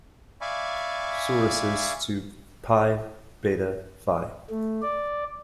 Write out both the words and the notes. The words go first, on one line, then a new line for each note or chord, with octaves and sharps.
Sorosis to Pi Beta Phi.
D5 E5 F5 G#5 B5 C#6
A3
D5